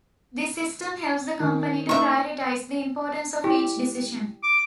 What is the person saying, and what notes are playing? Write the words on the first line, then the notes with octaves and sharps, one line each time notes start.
This system helps the company to prioritise the importance of each decision.
D#3
A#3 C#4 D#4 E5 C#6
E4 G4
D6